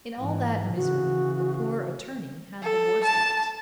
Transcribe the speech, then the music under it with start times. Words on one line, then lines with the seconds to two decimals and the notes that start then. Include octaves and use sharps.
In all that misery the poor attorney had the worst of it.
0.18 G#2 E3
0.76 C#3 E3 F#4
2.62 A4
3.04 A5